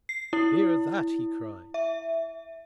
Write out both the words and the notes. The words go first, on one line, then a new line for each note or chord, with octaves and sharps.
"Hear that!" he cried.
C7
E4
E5